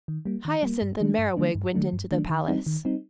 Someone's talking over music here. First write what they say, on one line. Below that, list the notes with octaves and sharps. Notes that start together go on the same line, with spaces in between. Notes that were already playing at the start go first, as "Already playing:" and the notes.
Hyacinth and Merriwig went into the Palace.
D#3
G3 A#3
D#3
G3 A#3
G2
D#3 F#3 A3 D4
G2
D#3 F#3 A3 D4
G2
D#3 F#3 A3 D4
G2
D#3 F#3 A3 D4
D#3
G3 C4 D#4
D#3
G3 C4 D#4